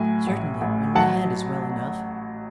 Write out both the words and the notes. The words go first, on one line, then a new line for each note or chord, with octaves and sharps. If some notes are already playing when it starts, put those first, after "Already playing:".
"Certainly, when my hand is well enough."
Already playing: A2 F#3 G#5
A1
A1
F#3 F#5 A5